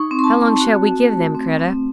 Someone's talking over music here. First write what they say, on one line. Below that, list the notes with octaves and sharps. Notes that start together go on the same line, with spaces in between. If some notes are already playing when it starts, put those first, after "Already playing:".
"How long shall we give them, Kreta?"
Already playing: D#4 C#6
C4
C6
A5
C4
F#4
C4
A3
C4
C4